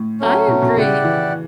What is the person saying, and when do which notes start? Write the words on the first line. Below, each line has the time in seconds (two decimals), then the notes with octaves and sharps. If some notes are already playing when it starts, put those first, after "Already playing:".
I agree.
Already playing: A2
0.20 F#3 A3 C#4
0.48 B2
0.62 B2
0.77 C#3 E4 G4 D5 F#5
1.05 E3